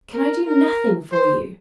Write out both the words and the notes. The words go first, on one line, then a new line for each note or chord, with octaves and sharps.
Can I do nothing for you?'
A#4
A#4
C5